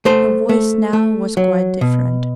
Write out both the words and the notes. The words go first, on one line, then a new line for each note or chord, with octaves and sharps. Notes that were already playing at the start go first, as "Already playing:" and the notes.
Her voice now was quite different.
A3 C5
A3
A3
F#3
B2